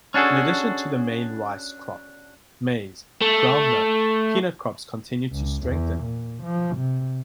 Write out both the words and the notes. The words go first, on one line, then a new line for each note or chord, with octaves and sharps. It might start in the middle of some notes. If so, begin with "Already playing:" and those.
In addition to the main rice crop, maize, groundnut, peanut crops continued to strengthen.
C#4 D4 F#4 G#4 A4
A3
C#2
E2
A#2
F3
C3